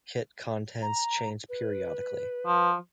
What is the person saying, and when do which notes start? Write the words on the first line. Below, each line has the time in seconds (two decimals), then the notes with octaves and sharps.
Kit contents change periodically.
0.82 A#5
1.49 B4
2.46 F3